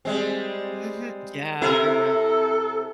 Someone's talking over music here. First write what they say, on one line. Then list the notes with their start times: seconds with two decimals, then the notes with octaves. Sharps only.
Mhm, yeah, you're right.
0.05 G3 G#3 C4
1.62 C3 E4 A4 A#4